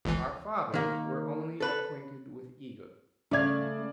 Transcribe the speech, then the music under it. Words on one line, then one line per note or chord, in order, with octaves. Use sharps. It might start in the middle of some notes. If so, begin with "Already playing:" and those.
Our fathers were only acquainted with egotism.
G1 C#2 E3
D#3 A#3
A4 B4
C#3 A3 D5 F5 G#6